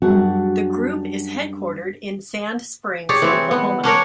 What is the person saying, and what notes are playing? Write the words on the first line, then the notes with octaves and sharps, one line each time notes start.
The group is headquartered in Sand Springs, Oklahoma.
F#2 G3 D4 F#4 G#4 F#5
G4 G#4 C#5 D5
E3 C4 C#5
B3
C#4 D4 A#4 C#5